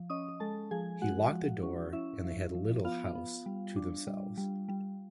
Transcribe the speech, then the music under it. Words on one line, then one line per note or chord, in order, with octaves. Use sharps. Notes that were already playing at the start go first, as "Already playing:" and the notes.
He locked the door, and they had the little house to themselves.
Already playing: F3
C#4 D#5 D#6
G#3 A4 A5
F3 G#4 G#5
G#3 F#4 F#5
F3
C#4
C#4 E4 E5
F3
F3
B3 F4 F5
B3
G3
D4
G3
G3
G3